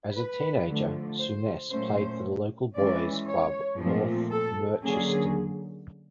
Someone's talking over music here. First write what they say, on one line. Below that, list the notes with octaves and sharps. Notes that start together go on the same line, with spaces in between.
As a teenager Souness played for local boys' club North Merchiston.
B4
D3 F3 A3
C5
A#2 F#3 A3 C#4 C5
E3 G#3 C#4 D5
C#5
A#2 F3 A3 C4
A4
D3 F#3 A#3 C#4 G#4